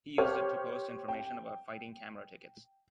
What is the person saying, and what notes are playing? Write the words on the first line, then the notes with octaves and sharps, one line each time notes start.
He used it to post information about fighting camera tickets.
G4 C5 C#5 F6
G5